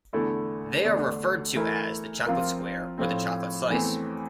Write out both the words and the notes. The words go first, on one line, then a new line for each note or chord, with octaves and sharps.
They are referred to as the "chocolate square" or the "chocolate slice".
E2 D3 A3 E4 A4
E2 D3 A3 D4
E3 A3 E4 A#4
F3 C4 F4 A#4
A2 F3 A3 C4
E2 E3 A3 C4